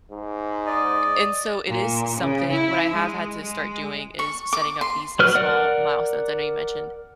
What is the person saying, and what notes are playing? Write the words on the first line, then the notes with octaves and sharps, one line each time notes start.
and so it is s something what I have had to start doing is setting up these s small milestones. I know you mentioned
G#2
D5 D#5
A#2
C#3
E4
G#3
G#3
C#6
D6
C6
F#3 B4 F6
A#4 D5 F#5